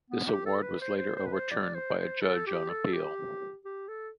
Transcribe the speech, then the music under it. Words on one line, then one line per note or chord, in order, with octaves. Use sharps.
This award was later overturned by a judge on appeal.
B3
G4
A4
B4
C5
C5
C5
B4
C5
D5
C5
C5
A4
G4
A4
G4
G4
A4